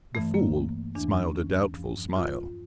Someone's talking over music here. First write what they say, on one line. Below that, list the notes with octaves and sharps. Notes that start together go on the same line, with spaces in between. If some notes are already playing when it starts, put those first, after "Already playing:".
The Fool smiled a doubtful smile.
G2 E3 A3
A#3
E2 E3 D4
C#4
G2 F3
F4